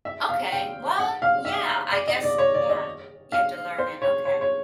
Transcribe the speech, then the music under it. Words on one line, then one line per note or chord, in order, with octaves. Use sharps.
Okay, well, yeah, I guess yeah, you have to learn it. Okay.
E5
F5
G5
F#5
F5
E5
D5
D#5
D5
C#5
D5
D#5
F5
C5
C#5
C#5
C#5